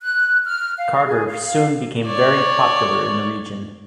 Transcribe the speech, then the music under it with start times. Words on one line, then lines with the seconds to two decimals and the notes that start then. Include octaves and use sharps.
Carter soon became very popular in the region.
0.01 F#6
0.45 F6
0.78 F5
1.06 G#4
1.27 F5
2.06 C#5 D5